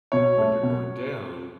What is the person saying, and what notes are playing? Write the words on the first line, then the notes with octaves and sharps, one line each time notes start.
When you're going down,
B2 C#5
A3
B2